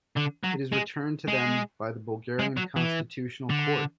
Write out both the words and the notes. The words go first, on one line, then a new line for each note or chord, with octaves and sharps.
It was returned to them by the Bulgarian Constitutional Court.
D3
F#3
G#3
G#3
G#3
F#3
E3
D3